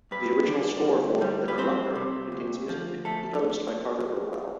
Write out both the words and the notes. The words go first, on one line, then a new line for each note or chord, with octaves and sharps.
The original score for "The Corruptor" contains music composed by Carter Burwell.
G2 B4
D3
G2
G3
B4
C4 C5
C3
D2
F3
A3 A4